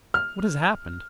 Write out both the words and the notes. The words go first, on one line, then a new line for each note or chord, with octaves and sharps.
What has happened?
F6